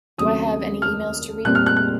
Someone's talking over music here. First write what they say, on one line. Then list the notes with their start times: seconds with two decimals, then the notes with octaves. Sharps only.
Do I have any emails to read?
0.18 D#2 C#3 F#3 A3 C4 D#6
0.82 F6
1.45 A#2 G3 C4 F#6
1.55 F6
1.66 F#6
1.77 F#6